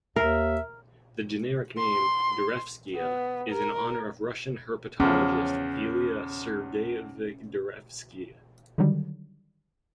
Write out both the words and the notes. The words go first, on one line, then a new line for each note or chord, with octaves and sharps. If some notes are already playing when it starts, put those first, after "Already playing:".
The generic name, "Darevskia", is in honor of Russian herpetologist Ilya Sergeyevich Darevsky.
D#2 A#4 E5
C6
B3
A#4
E2 F3 C#4
D3 D#3 F#3 G3